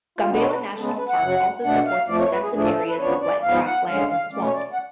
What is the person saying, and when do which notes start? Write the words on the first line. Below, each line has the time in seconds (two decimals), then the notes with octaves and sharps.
Gambela National Park also supports extensive areas of wet grassland and swamps.
0.18 F4
0.29 B2 G#3 B3 D4 F#4
0.40 C#5
0.51 B4
0.74 C#3 G#3 B3 A4
0.85 A4
0.97 B4
1.08 F#5
1.19 F#2 C#3 F#3
1.64 B2 A3 D4 F#5
1.86 F5
2.08 F2 F3 A3 D5
2.20 C#5
2.31 B4
2.42 G#4
2.54 A2 F3 A3 D4 G#4
2.65 A4
2.76 A4
2.88 B4
2.98 F#2 C#3 F3 B3 D4 C#5
3.21 D5
3.43 G#2 F3 B3 F5
3.65 F#5
3.88 F#2 D3 G#3 C#4 F5
4.10 F5
4.33 B2 A3 C#4 D5
4.44 C#5
4.55 D5
4.73 F#5